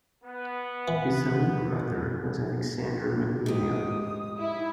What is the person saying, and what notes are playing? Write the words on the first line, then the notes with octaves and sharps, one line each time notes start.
His own brother was Alexander McNeill.
B3
E3
G#2 G4 D#6
E4